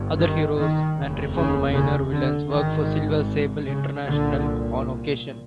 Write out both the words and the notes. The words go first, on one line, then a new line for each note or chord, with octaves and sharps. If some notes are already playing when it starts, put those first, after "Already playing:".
Other heroes and reformed minor villains work for Silver Sable International on occasion.
Already playing: G1 G2
D#3
D#3
F1 D#2 C#3
C#3
C#3
D3
G#1 G#2 D#3
C#3
C2 A#2 D3